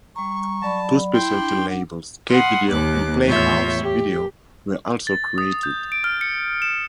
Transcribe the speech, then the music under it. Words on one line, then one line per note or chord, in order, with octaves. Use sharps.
Two specialty labels, Key Video, and Playhouse Video, were also created.
G3 A#5 C#6
F#3 D5 A5 B5
E4 G5 C6
D4
F#5
F5 F#5 B5 C6 D#6
D#2 A#3 D6 F#6
E2 A2 F4 C#5 E5 G6
G4
A6
D#6
G6
D7
F6
C#7
E7